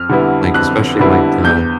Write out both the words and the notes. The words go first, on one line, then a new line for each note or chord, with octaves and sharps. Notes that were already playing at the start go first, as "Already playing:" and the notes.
Like, especially like the
Already playing: F2 F6
D3 G3 B3 E4
F2 F#6
D3 G3 B3 E4
E2 G6